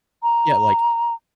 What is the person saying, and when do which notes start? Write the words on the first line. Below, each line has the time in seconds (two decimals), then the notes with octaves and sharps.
yeah, like,
0.23 A#5